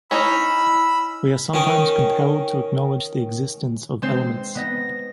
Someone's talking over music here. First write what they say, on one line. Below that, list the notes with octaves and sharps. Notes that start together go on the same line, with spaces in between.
We are sometimes compelled to acknowledge the existence of elements.
C#4 D#4 E4 B5 E6
D#3 C#4
G#3 C4 C5
B3 D#5 A#6